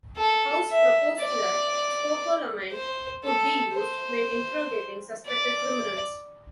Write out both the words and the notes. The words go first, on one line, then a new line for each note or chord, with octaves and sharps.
House proposed that scopolamine could be used when interrogating suspected criminals.
A4
E5
D5
C5
A4
C5
D5